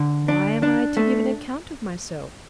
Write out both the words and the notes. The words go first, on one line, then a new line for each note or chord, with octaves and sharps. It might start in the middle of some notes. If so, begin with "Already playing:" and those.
Why am I to give an account of myself?
Already playing: D3
D4
D4
A3